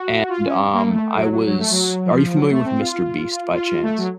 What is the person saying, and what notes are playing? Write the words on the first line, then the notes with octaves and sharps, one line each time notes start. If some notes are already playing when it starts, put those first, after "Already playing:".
And, um, I was are you familiar with MrBeast by chance?
Already playing: F#4
F4
C#4
A#3
A3
F#3
F#3
F#3
A3
F#3
F3
F#3
A3
C4
F4
F4
A3
F#3